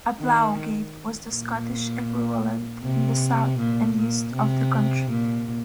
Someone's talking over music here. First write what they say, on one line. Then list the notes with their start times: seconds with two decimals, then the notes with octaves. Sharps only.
A ploughgate was the Scottish equivalent in the south and east of the country.
0.20 D#3
1.34 A#2
2.84 C3
3.59 A#2
3.98 A#2
4.35 C3
5.11 A#2